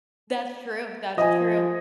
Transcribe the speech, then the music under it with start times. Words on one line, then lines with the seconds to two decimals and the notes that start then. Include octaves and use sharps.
That's true, that's true.
1.18 F3 D#5 G#5